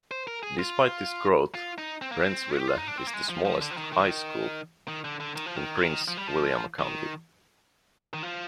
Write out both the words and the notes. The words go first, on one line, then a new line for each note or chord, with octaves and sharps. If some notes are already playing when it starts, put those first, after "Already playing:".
Despite this growth, Brentsville is the smallest high school in Prince William County.
C5
A#4
G#4
F4
F4
D#4
C4
A#3
C4
G4
F4
D#4
D4
C4
A#3
G#3
F3
F3
D3
F3
D#3
D#3
D#3
D3
D3
D#3
F3
D#3
F3
D#3
F3
G3
F3
D#3
D#3
F3